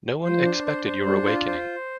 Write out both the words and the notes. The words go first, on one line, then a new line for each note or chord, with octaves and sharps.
No one expected your awakening.
F3 C5
D4
C5
C5
G3 D4
F4
C5